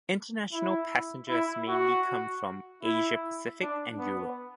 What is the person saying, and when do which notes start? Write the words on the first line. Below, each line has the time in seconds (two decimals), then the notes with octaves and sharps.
International passengers mainly come from Asia Pacific and Europe.
0.53 E4
1.29 E4
1.69 F#4
2.83 E4
3.62 D4
3.99 B3